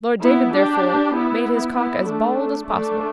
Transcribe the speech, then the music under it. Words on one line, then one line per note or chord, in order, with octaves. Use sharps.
Lord David, therefore, made his cock as bald as possible.
B3 E4
D4 G4
B3 E4
B3 E4
A3 D4
A3 D4